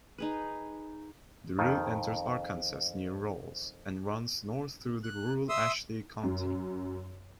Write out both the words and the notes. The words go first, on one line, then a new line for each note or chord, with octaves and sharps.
The route enters Arkansas near Rawls and runs north through rural Ashley County.
D#4 G#4 B4
F2 D#3
F#6
E5 C6 D#6 E6
F#2